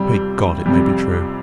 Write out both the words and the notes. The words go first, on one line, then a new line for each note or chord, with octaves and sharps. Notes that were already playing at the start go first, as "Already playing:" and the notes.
Pray God, it may be true!
Already playing: F2 C3 G3
F2 C3 G3